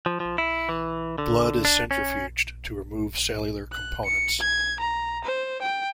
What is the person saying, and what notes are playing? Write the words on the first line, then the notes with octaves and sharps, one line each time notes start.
Blood is centrifuged to remove cellular components.
F3
F3
E4
E3
D3
D4
C#4
F#6
C#7
G#6
A#5
C5
G5